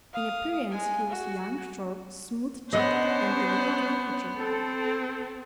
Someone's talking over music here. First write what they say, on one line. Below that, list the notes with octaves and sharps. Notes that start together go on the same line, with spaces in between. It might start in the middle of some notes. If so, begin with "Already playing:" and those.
In appearance he was young, short, smooth-cheeked, and delicately featured.
F5 D#6
G#3 G#5
F#4
B3 C#4 D4 C5 D#5 F#5
C4 A4